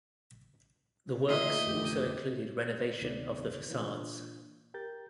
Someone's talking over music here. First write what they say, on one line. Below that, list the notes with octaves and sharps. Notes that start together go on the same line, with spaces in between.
The works also included renovation of the facades.
D2 A#2 E3 D#4 B4 D#5 E5 C6
F2 A3 G4
D2 C3 D#3 B3 D#4 D5
A#2 E3 A#3 D4 F4
G4 A#4 G6 A6